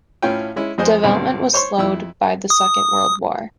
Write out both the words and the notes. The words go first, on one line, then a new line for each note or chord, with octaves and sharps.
Development was slowed by the Second World War.
A2 C#4 E4 F4 F5 G5
G#3 C#4 E4
F2 G#3 G#4 C5 D#5
B1 G2 D3 C4 B5
C5 C#5 C6 C#6
F2 E4 E6
D#6